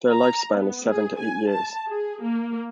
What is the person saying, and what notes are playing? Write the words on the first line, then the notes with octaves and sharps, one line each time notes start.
Their lifespan is seven to eight years.
A#5
B3
G#4
G#5
A5
G#4
A#3